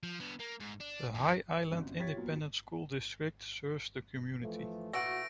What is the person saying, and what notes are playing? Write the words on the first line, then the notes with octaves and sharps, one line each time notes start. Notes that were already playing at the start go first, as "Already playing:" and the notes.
The High Island Independent School District serves the community.
F3
B3 D4
A#3
G#2
D4
F#2 E3
G1 C2 F#2
F4 G4 C#5 G#6 A6 B6
A#2 F#3 B3
E3 F3 A3
A#2 E3 A3 F#4 F#5 A#6 D7